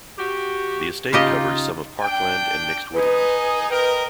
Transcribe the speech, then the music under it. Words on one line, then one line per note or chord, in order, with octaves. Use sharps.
The estate covers some of parkland and mixed woodland.
F#4 G4
C#3 D#4 F4 G4 D#5
D4 G5
D#4 G#4 B4
A#4 B4 D#5 G5